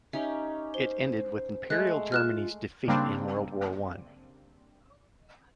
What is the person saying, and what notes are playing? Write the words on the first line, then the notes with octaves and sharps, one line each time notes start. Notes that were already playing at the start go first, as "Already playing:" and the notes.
It ended with Imperial Germany's defeat in World War One.
C#4 D#4 G4 E5
C5 G7
G#3 A3 F#6
F4 F6 F#6 E7
C#3 G3 A#3 C4 D4